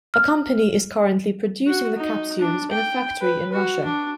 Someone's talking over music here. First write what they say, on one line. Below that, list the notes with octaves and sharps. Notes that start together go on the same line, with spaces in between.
A company is currently producing the capsules in a factory in Russia.
F6
F#4
D#4
D4
G5
B4
F#4
D4